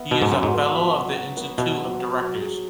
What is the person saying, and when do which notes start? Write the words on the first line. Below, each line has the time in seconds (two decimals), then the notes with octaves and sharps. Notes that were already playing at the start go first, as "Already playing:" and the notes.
He is a Fellow of the Institute of Directors.
Already playing: B3 E5
0.11 B2 F#3
0.22 G#2
0.32 F#2 F#4
0.43 G#2
0.54 B3
0.74 E5
0.95 F#3
1.16 F#4
1.37 B3
1.58 B2 E5
1.80 F#3
2.00 F#4
2.21 F#3
2.41 G#4